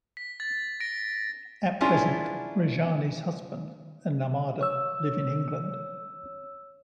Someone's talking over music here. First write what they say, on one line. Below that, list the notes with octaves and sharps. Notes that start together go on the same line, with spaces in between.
At present Rajani's husband and Narmada live in England.
B6
A6
A#6 D7
B3 C#4 D4 E4 F4 G#4
C#5 E6